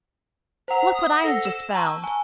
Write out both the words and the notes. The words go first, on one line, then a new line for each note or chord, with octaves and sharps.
Look what I have just found!
C5 F#5 A#5
D#6
A4 F#5 A#6
E6 E7
A5 A#5 C#6 E6
G#5